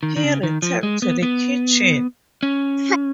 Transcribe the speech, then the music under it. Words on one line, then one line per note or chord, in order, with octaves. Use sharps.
He returned to the kitchen.
D#3
D#3
C#3
D#3
F3
G#3
B3
B3
C#4